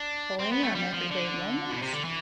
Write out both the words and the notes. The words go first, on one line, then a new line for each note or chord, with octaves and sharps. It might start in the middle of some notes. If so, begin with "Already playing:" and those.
plan everyday moments,
Already playing: D4
C4
B3
A3
G3
F3
D3
B2
C3
D3
E3